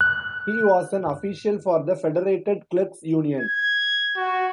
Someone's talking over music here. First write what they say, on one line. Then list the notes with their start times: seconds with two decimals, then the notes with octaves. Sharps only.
He was an official for the Federated Clerks' Union.
0.01 F#6
3.41 G#6
4.17 F#4